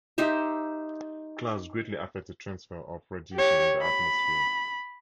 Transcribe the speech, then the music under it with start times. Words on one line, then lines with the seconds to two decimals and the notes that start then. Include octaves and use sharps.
Clouds greatly affect the transfer of radiation in the atmosphere.
0.18 D#4 G4 C5 E5
3.34 G4 C#5
3.82 B5